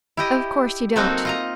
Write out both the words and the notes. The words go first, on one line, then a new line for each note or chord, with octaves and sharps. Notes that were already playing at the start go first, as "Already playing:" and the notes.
Of course you don't.
E4 G4 D#5
F#3 A3 A#3 C4 D#4 F#4
F4 D#5 A#5